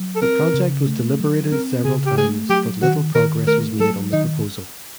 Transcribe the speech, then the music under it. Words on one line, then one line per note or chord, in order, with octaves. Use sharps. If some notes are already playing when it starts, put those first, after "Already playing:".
The project was deliberated several times but little progress was made on the proposal.
Already playing: F#3
A4
C4 A#4
C#3
A3
F#3
C4 A#4
C#3 G#4
G4
A3 G#4
F#3 G4
D#3 F#4
D#3 A#4
A3 A#4
F#3 A4
D#3 D#4